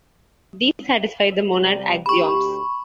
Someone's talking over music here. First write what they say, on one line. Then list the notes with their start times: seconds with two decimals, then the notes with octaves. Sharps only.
These satisfy the monad axioms.
1.62 C3 G3
2.06 D2 G4 B5 C#6